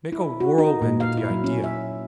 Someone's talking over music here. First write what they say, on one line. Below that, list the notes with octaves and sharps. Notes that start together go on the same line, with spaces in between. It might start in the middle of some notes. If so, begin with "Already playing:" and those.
Make a whirlwind of the idea.
E4
F#4
D#4
A#2
F5
E4
F#3
C#4
E5